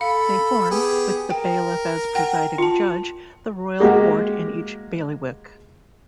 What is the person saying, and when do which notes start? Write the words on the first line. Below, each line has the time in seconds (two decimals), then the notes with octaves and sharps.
They form, with the Bailiff as presiding judge, the Royal Court in each Bailiwick.
0.01 A4 F5 B5
0.71 B3 G4 G#4
1.30 A#4 G5
2.15 F#5 G5
2.58 F4 A5
3.80 G#3 A#3 F#4 G4